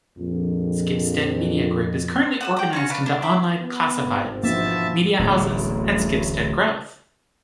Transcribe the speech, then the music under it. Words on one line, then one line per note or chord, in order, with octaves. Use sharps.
Schibsted Media Group is currently organized into Online Classifieds, media houses and Schibsted Growth.
A#1 F2
F#5 D#6 E6
F#5 G5
C#4 F#4 C#6
D4 B4 F5
D4
D4 E5 F#5
B3
G#1 C4
B2 E3 F3 A#3 C#4 D4 E5 A5
D1 A1 D2 D3